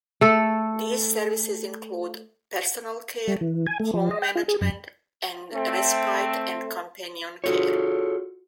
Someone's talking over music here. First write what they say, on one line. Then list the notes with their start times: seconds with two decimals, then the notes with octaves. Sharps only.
These services include: personal care, home management, and respite and companion care.
0.21 A3 A4
3.28 G3
3.41 E3
3.66 G#5
3.80 A3
3.94 F3
4.11 D#5
4.22 G5
4.35 F4
4.48 G#4
4.61 F#2
5.54 A3 C4
7.44 F4 F#4 G#4 A4 C#5